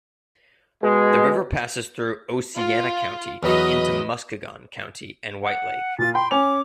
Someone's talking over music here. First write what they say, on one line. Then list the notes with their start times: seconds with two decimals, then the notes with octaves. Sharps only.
The river passes through Oceana County and into Muskegon County and White Lake.
0.83 B2 G#3
2.55 F4
3.43 E2 F#3 B4 D#5
5.43 F#5
5.99 A#2 F4 A6
6.14 G5 B5 C6
6.31 C#4 G#5 D6 F7